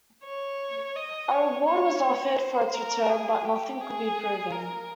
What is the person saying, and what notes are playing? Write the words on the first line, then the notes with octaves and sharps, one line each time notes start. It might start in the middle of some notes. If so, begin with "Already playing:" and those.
A reward was offered for its return but nothing could be proven.
C#5
D#5
C#5
C#5
C5
A#4
G#4
G4
G#4
A#4